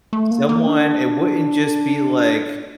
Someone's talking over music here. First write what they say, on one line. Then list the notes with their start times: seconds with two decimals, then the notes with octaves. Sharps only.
Someone it wouldn't just be like,
0.13 A3
0.31 A#3
0.49 A#3
0.67 D4